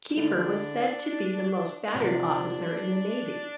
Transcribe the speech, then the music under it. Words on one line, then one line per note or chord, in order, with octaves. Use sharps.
Kiefer was said to be the most battered officer in the Navy.
D3 A3 D4 E4
E2 C3 F3 D4